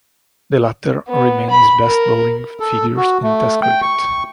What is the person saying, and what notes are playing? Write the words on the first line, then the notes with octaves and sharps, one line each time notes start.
The latter remains his best bowling figures in Test cricket.
B3
B5
A#4
A4
F#4
A3
G5
C#6